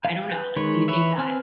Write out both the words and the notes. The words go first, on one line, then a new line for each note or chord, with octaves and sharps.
I don't know, like, do you think that
F5
B4 G6
D#3 G#3 B4 C#5
E3 B4 C#5 E5
C4 B4 G#5 F6